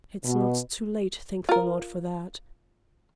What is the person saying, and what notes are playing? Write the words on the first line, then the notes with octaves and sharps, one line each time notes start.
It's not too late, thank the Lord for that!
B2
F4 A#4